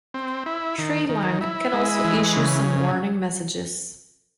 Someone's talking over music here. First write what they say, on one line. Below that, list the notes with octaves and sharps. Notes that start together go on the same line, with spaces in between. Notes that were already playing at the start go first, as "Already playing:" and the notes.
Treelang can also issue some warning messages.
C4
E4
D#3
D#3
E4
G#3
E3
C#3